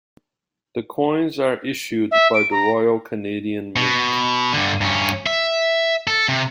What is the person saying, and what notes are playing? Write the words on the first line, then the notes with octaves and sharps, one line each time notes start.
The coins are issued by the Royal Canadian Mint.
E5
D7
A#5
B2
G2 D3
G2 C#4
E5
A4
C3